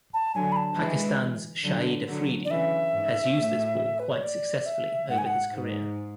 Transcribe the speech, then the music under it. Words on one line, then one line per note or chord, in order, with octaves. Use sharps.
Pakistan's Shahid Afridi has used this ball quite successfully over his career.
A5
D3 F#3 G#5
B5
A5
E3 G#3
D3 F#3
D3 F#3
D5
C#3 E3 E5
G#2
A2
B4
C#5
D5
E5
G#2 F#5
G#5
F#5
G#2